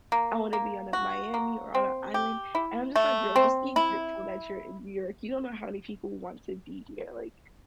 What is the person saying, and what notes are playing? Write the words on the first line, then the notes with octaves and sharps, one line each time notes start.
I wanna be out in Miami or on an island." And I'm just like, "Girl, just be grateful that you're in New York, you don't know how many people want to be here." Like,
A#3
A#3
F#4
A#3
C4
G4
E4
A3
C4
E4